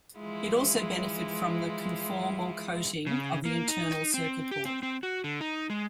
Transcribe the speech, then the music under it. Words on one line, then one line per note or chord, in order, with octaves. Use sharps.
It also benefited from the conformal coating of the internal circuit board.
E3 F3 G#3 E4 F4
C#3
A#3
D#4
C4
G4
C4
C4
F#4
D3
D#4
G#3